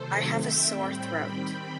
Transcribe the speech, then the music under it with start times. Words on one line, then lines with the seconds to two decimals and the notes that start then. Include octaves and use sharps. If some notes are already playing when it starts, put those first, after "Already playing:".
I have a sore throat.
Already playing: C3 D#3 F#3 A3 A4 C5
0.32 D#3 A3 C4 E5 G5
0.72 A2 G3 C4 G5 B5
1.13 D#3 G3 C4